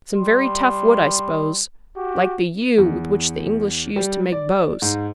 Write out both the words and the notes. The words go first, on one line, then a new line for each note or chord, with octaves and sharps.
"Some very tough wood, I suppose, like the yew with which the English used to make bows."
G3 C6
F#4 G4
E2
G3
D5
G#2